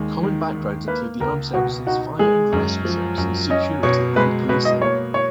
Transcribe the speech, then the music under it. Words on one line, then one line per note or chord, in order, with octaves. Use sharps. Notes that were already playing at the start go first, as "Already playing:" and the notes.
Common backgrounds include the armed services, fire and rescue services, security and policing.
Already playing: D#2 G#3
D#3
D#2
A#3 B4
C#2 A#4
B2 F#4
D#4 F#4
G#3 G#4
F#2
F3
F#2
C#4 D#5
B2 C#5
G#3 B4
B2 B4
D#5
A#3 C#5
C#5